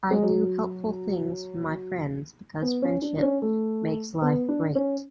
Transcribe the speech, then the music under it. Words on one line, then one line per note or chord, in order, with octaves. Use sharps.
I do helpful things for my friends because friendship makes life great.
G#3
F#3
B3
C#4
D4
D4
C#4
A3
B3
D4
C#4